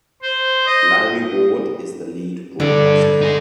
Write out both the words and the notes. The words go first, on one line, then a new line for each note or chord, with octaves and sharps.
Larry Ward is the lead broadcaster.
C5
D#5
G2 D3 D5
D#4 G#4